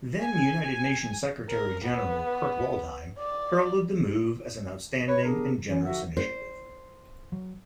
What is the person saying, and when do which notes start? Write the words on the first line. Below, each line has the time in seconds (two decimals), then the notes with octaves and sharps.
Then-United Nations Secretary-General Kurt Waldheim heralded the move as an outstanding and generous initiative.
0.21 G#5
1.49 A#4
1.85 B3
3.18 D5
5.08 B4 C#5
5.23 B3 D4 G4 G#4 A#4 A#5
5.67 E3 B3 C#4
5.84 D3 F3 D#4 F#4 E5 F#5
6.17 C5
7.32 F#3